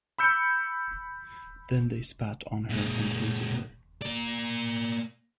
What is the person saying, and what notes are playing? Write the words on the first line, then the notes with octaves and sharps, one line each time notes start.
Then they spat on her and hated her.
B5 E6 G6 C#7
A#2 G#3
A#3 D5